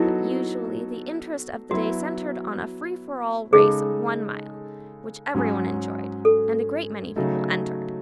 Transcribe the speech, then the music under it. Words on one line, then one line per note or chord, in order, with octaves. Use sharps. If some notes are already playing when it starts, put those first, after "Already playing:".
But usually the interest of the day centered on a free-for-all race of one mile, which everyone enjoyed, and a great many people entered.
Already playing: F#3 B3 D#4 E4 F#4 A4
F#3 B3 E4 F#4
C#3 G#3 D#4 G#4 A4
G#2 F#3 C#4 G#4
A4
C#3 F#3 A3 D#4